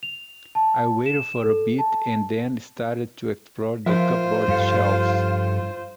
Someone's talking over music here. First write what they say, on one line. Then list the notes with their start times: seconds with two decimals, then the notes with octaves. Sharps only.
I waited for a bit, and then started to explore the cupboard shelves.
0.03 F7
0.55 A5
1.06 E7
1.44 A4
1.79 A5
3.86 F3 F4 A#4 C5 E5
4.48 G2 G4 A4 F5